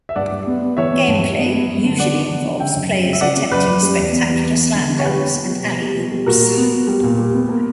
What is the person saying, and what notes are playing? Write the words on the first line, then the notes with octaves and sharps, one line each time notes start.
Gameplay usually involves players attempting spectacular slam dunks and alley oops.
E5
G2 D5 F#5
G2
B3
B3
E3 C#5 E5
B3
G2
G2
B3
B3
F#2
D3
B3 D5 F#5
B3
D3
D3
C#3 E5 G5
F#2
F#2
C#3
E5
C#3 D5 F#5
C#3
F#2 B4 D5
F#2
G3
E2
B3
E2
B3
B3
D3
D3
C#5
B2 G4 B4
B3
B2
G3
B2
G3
B2
G3
A#2 F#4 A#4
G3
B3
B3
G3
A#2
G3
B3
A#3